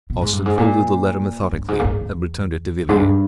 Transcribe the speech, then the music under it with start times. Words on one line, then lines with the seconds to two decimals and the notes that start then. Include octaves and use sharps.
Austin folded the letter methodically, and returned it to Villiers.
0.10 B2
0.21 G#2
0.33 G2
0.46 G#2
0.58 A#2
1.52 G2
1.68 G#2
1.79 A#2
1.85 G#2
2.00 E2
2.89 G#2
2.96 G2